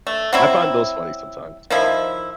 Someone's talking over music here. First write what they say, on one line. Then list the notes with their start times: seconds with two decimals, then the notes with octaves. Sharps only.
I I find those funny sometimes.
0.07 A3
0.33 F#3 C4 E4
1.70 D#3 F3 E4